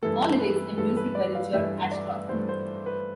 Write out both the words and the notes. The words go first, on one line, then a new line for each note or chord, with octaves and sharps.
All lyrics and music by Richard Ashcroft.
G2 E3 A3 A4
B4
G2 E3 A3 A4
B4
D5
F5
G2 E3 A3 E5
D5
G2 E3 A3 C5
C5
B4